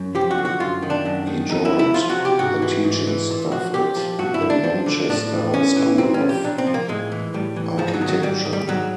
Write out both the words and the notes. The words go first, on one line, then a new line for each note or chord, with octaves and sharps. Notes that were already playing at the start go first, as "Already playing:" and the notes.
He joined the teaching staff at the Manchester School of Architecture.
Already playing: F#2
F3 G4
F#4
D3
F#4
F#2 F4
D#3
D4
F#2
D#3
E2 D#4
E4
E2
E4
F3 F4
F#4
C3
G4
G#2 F#4
E3
G#2
E3
A#2
F3 F#4
A#2 G4
F3
G2 F#4
E4
G2
D4
F3
D3
A2 D4
E3
A2 C#4
E3
A#2 C4
C#4
F3
G4
A#2 D4
C4
F3
A#3
A2 G#3
E3
A2 G3
E3
G#2 F3
F#3
D#3
F#3
G#2 G3
D#3
G3
G#2 F#3